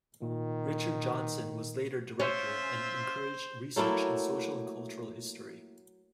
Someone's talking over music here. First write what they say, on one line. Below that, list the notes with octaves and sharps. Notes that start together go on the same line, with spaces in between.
Richard Johnson was later director and encouraged research in social and cultural history.
A#2 D#3
C#4 F4 C5 E5
F#3 A3 A#3 E4